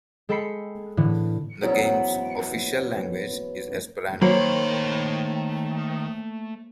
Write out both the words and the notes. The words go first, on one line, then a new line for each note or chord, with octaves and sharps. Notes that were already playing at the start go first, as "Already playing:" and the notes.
The game's "official language" is Esperanto.
G#3 A4 G5 B5 C7 C#7
A2 D3 E3
E2 G#2 F#3 B3 C#4 E4
D#3 F#3 A3 A#3 C5 C#5 B5